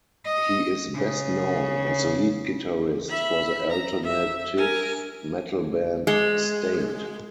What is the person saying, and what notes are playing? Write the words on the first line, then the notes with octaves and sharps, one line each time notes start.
He is best known as the lead guitarist for the alternative metal band Staind.
D#5
C#3
E5 B5
A#5
E5
A#4 G#5
G#3